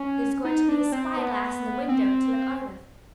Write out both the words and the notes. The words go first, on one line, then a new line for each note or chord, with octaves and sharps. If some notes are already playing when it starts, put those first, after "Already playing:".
There's going to be a spy-glass in the window, to look out of.
Already playing: C#4
D#4
D4
C4
B3
C4